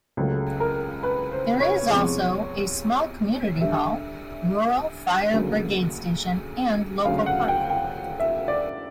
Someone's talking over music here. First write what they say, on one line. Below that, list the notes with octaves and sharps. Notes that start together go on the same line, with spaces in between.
There is also a small community hall, Rural Fire Brigade station and local park.
C#2 C#3 F#3 A3
A#4
B4
C5
C#5
E2 C3 F3 G#3
G2 D3 G3 E5
D2 C#3 F#3 A#3
D2 C#3 F#3 F5
F#5
G5
G5
E5
D5